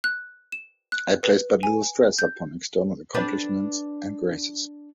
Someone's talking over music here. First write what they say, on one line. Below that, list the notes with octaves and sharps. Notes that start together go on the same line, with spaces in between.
I place but little stress upon external accomplishments and graces.
F#6
E7
F#6
B4
G#5
G6
D4 G4 B4